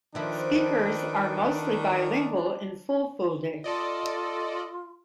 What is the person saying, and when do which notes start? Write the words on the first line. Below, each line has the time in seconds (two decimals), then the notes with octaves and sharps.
Speakers are mostly bilingual in Fulfulde.
0.15 D#3 F3 D4 E4 A4 B4 G5
3.64 F4 A4 D5 D#5